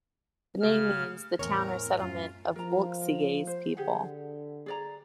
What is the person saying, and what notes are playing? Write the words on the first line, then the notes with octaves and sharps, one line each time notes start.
The name means 'the town or settlement of Wulfsige's people'.
C#3 G#3 A3 G4 F6
E2 A2 C4 A#4 C#5
F#2 F4
F3 A#4 A#5
A#4
C5
D3 G4 G#4 F#5
G#4 D5 A#5